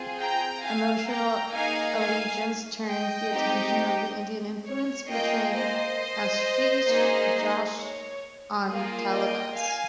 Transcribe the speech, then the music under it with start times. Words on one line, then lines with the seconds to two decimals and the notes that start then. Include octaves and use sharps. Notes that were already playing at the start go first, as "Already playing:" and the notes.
"Emotional Allegiance" turns the attention to the Indian influence featuring Ashish Joshi on Tablas.
Already playing: C4 F4 G#4
0.19 G5 A#5
0.63 F5 G#5
1.08 G5 A#5
1.52 A#3 D#4 G#4 F5 G#5
1.98 F5 G#5
2.87 D#5 G5
3.32 C4 D#4 G4
4.66 C#5
5.10 A#3 F4 G#4 D#5 G5
5.54 C5 D#5
6.88 A#3 D#4 G#4
7.78 C#5
8.67 A#3 F4 G#4
9.12 D#5 G5
9.56 F5 G#5